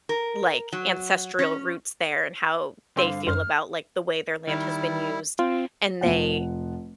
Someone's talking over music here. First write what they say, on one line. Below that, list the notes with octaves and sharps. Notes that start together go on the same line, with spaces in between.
like, ancestral roots there and how they feel about, like, the way their land has been used, and they,
A#4
F#3
C#4
G2 D3 C4 F5
F#2 C5 F6
D#3 G3 E4
C4 F4
F1 F3 F#5